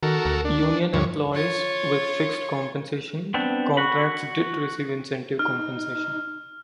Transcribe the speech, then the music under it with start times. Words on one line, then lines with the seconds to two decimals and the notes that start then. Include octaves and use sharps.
Union employees with fixed compensation contracts did receive incentive compensation.
0.03 D#3 F#4 A4 A#4
0.25 D2
0.45 D4
0.93 D2 G2 F3 C#5
1.33 F4 C#5
3.34 B3 C4 D4
3.77 F#4 B5
5.39 D#4 F6